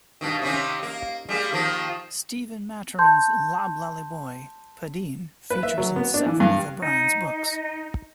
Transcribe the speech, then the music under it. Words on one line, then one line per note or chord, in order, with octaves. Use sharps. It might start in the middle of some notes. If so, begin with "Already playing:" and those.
Stephen Maturin's loblolly boy, Padeen, features in several of O'Brian's books.
G2 B2 D#3
C3 D#3 C#4
A#3
G3 G#3 A#3
D#3 F3 A#3
A5 C6 G6
B4
E5
F#3
B3
D4
E3
G2
D#4